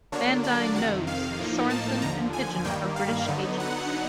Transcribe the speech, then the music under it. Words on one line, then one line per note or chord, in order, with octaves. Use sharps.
Van Dyne knows Sorensen and Pidgeon are British agents.
D3 F#3 A#3 D4 C#5
D5
F2 C3 D#3 F#5
F5
A2 F3 A#3 D#4
A5
D#2 D3 F3 A#5
G#5
G2 D#3 G3 A#3 G5
F5
D3 F#3 B3 D#4
F#5